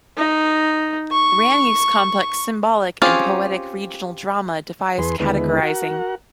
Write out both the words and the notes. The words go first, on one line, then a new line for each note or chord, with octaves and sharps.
Reaney's complex symbolic and poetic regional drama defies categorizing.
D#4
C#6
C4 C#4 F4 G4 G#4
E2 G#4 B4 C6
D#2 D3 G#3 B3 E4 B4
F#4 A#4 F#5